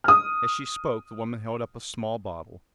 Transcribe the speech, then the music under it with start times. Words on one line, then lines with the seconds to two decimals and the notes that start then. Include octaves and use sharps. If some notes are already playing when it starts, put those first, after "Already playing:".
As she spoke the woman held up a small bottle.
0.04 D#6 F6